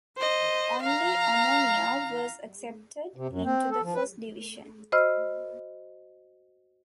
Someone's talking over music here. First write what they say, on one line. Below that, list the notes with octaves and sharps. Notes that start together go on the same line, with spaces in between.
Only Omonia was accepted into the First Division.
C5 D#5
F5 A#5
C3
F#2
C4
A4
F3
B4
F#4 C5 D#5 B5 E6 F6